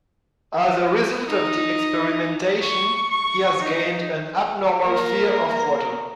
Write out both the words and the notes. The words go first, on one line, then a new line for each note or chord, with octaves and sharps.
As a result of the experimentation, he has gained an abnormal fear of water.
D#4
C#6
C#6
D#4
A#3 A#4